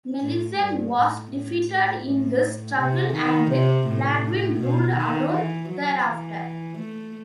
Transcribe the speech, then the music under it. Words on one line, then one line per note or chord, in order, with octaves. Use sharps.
Melisende was defeated in this struggle and Baldwin ruled alone thereafter.
A2
G2
A2
A2
A2
C3
D#3
C3
A2
B2
D#3
E3
F#3
E3
A3